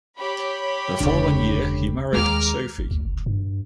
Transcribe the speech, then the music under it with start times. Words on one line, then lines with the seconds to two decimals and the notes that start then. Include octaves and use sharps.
The following year he married Sophie.
0.17 G4 C#5 B5
1.00 E1 C#2 D3
2.13 D#2 G#3 A#5 D6 F6
2.79 G1
2.91 D2
3.05 F#1
3.26 G2